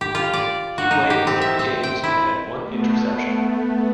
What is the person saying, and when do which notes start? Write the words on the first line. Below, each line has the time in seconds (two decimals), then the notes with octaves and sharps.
He played in three games and had one interception.
0.01 G4
0.15 F4
0.33 D5
0.78 F#4
0.91 D#4
1.10 G4
1.27 C4
1.41 E5
1.59 C4
1.83 G5
2.04 E4
2.64 A3 B3